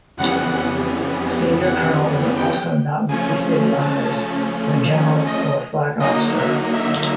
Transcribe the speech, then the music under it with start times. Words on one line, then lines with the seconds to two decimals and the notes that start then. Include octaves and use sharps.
A senior colonel is also not befitted honors of a general or flag officer.
0.17 F2 C#3 E3 G3 B3 F#5
1.63 F#5
2.37 G5
3.09 C#3 F3 A3 C#4 G#5
3.81 A5
5.27 D#5
6.00 D3 F#3 A#3 D#4 D#5
6.37 E5
6.73 E5